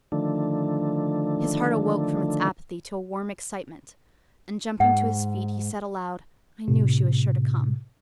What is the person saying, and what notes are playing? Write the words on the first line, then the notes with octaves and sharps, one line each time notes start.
His heart awoke from its apathy to a warm excitement, and, jumping to his feet, he said aloud, "I knew she was sure to come."
D3 D#3 F3 A3 D4
G#2 F#5
A2 C3